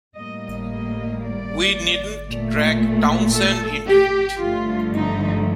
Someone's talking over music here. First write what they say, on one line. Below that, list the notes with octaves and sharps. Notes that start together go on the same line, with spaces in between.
We needn't drag Townsend into it.
A2 G3 A#3 D#5
D#5
D5
A#2 A3
A4
G4
G2 D3 F3 A3 F4
D#4